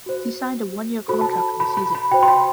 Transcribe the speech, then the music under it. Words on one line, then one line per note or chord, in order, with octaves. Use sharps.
He signed a one-year contract for the season.
F#4 C5
F#4 A4 C5 B5
A5
B5
B5
B5
B5
F#4 C5 G5
C6
B5